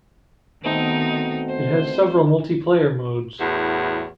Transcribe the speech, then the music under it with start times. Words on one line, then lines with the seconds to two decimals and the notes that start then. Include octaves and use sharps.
It has several multiplayer modes.
0.65 B2 D#3 A3 C4 D#4
1.49 C5
3.40 E2 A2 F#4